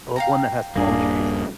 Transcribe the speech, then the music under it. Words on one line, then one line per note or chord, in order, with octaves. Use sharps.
well, one that has palm trees,
F5 G5 A#5
D#1 G2 A#3 D4 G#4